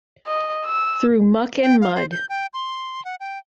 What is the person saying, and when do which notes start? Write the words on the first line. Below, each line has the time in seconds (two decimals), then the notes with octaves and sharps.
Through muck and mud.
0.28 D#5
0.66 E6
1.63 G5
1.81 F5
1.95 C5
2.12 G6
2.29 G5
2.53 C6
3.05 F#5
3.20 G5